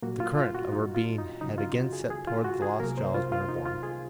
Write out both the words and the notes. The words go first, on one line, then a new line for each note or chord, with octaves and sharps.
The current of her being had again set towards the lost Giles Winterborne.
A#2 F#3 A#3 F#4
F4
F4
F#4
D#4
F4
D#4
F#2 C#3 F#3 D#4
F4
F#4
G#4
G#4
F4
F#4
G#4
C2 C3 F#3 A#3 A#4
C5
F4
F4
D#4
F4
G#4